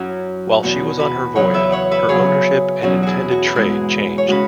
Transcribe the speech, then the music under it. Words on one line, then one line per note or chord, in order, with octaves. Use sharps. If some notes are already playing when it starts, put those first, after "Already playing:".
While she was on her voyage her ownership and intended trade changed.
Already playing: F#2 F#3 C#4 E4 F#4
E2 B2 B3 F#4
F#4 B4
E2 C#3 F#3 B3 C#5 F#5
B4 E5
C#5 F#5
B4 E5
C#3 F#3 B3 G#4 C#5
E2 B2 F#3 C#4 F#4
E4 F#4 G#4
F#4
B4
G#2 G#3 B3 E4 G#4
C#5
C#3 G#3 C#4 F#4 B4